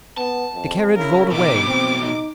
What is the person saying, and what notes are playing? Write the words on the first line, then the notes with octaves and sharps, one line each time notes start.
The carriage rolled away.
B3 A5
F2
C#3 E4 A#4
B2 D#3 A3 D6
C4
D#4